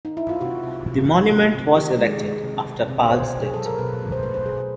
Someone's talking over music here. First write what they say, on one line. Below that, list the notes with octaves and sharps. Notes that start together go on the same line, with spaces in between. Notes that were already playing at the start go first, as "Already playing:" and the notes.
The monument was erected after Pal's death.
D#4
E4
F4
C3 F#4
C3
C3
C3
C3
C3
D#3 G4
G#3
G#3
C3
C3
C3
C#5
B2 C5
B2
G#4
F#3 A4
A#4
B2 B4
B2
C5
A3 B4
C5
B2 G#4